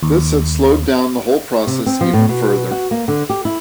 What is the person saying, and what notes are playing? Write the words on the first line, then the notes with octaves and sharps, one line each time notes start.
This had slowed down the whole process even further.
D#2
C3
C4
F3
A2
B2
F#4
A#3
D3
G4
E4